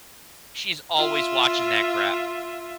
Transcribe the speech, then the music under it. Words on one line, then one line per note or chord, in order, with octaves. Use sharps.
she's always watching that crap.
F4 E5